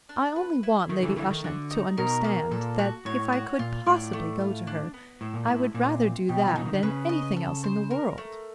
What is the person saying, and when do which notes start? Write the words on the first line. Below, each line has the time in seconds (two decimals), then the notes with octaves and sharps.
I only want Lady Ushant to understand that if I could possibly go to her I would rather do that than anything else in the world.
0.09 D4
0.36 B4
0.63 E4
0.89 D#3 A3
1.03 D3 E3
1.17 D3 E3 A3
1.30 D#3
1.44 D3 F#4
1.71 D#4
1.98 B2 A#4
2.24 A#3
2.51 A#2 A4
2.79 F#4
3.05 A2 C#5
3.32 F#4
3.59 A#2 F4
3.86 A2 D5
4.13 A3
4.40 F4
4.67 D4
4.94 B3
5.21 A2 A4
5.34 A#2
5.47 A2 E4
5.75 A#2 C4
6.02 C4
6.29 B2 G4
6.47 F3
6.56 E3 D#4
6.65 D#3
6.73 D3
6.83 C#3 B4
7.09 D#5
7.36 A4
7.64 C5
7.91 A#4
8.18 A3